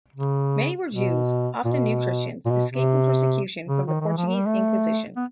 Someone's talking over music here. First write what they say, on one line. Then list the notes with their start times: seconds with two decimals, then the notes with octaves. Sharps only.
Many were Jews, often New Christians, escaping persecution from the Portuguese Inquisition.
0.16 C#3
0.94 B2
1.65 A#2
1.72 B2
2.46 A#2
2.51 B2
2.71 C3
3.68 C#3
3.88 D#3
4.01 D#3
4.07 E3
4.17 F3
4.27 F#3
4.36 G3
4.47 A3
5.16 B3